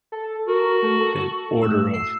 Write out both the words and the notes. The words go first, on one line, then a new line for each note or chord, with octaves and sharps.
the order of
A4
F#4 A#4
A3
A4
A2 E6
C7